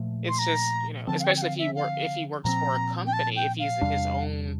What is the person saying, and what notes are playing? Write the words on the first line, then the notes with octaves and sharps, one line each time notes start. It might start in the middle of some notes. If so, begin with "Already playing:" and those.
It's just, you know, especially if he work if he works for a company, if he's his own
Already playing: A#2 F3 A3
C6
A#5
D3 F3 C4 A5
F5
G5
G5
F5
E5
F5
A#2 F3 C4 A#5
G5
A5
G5
F5
E2 C3 G3 D4